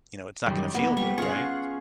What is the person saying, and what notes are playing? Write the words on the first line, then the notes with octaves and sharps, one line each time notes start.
you know, it's not gonna feel good, right?
F#2 D#3 G3
A#3 B3
G3 C#6
C#4 F4 G#4 F#5 C#6